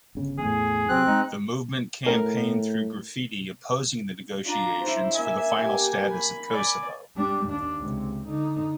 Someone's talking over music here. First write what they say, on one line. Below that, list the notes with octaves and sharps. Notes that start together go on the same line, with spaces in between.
The movement campaigned through graffiti opposing the negotiations for the final status of Kosovo.
G1 C#3
E2 A2 G#4
C3 F#3 C4 F#6
G#3 D#4
A2 A#4
D4 F4 A#5
E4 C5
A#3 E5 G#5
G4
B5
D5 G#5
G3 D4
D#2 D4
C#2 C3
D3 D#4